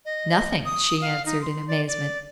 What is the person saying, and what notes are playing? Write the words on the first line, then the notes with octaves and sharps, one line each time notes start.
"Nothing!" she answered, in amazement.
D#5
D#6
F5
D#4
C6
D5
D5